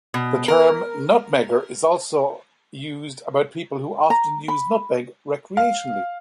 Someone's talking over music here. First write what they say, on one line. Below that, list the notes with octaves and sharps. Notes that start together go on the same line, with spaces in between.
The term "nutmegger" is also used about people who often use nutmeg recreationally.
B2
A#4
A#5
B5
F5